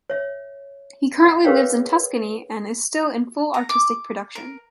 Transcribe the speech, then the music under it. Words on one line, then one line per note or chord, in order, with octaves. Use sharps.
He currently lives in Tuscany and is still in full artistic production.
C#5 E5
E5 F#5
G#4 A#4 B4 C#5 F5 G5
A#5
D6
A#4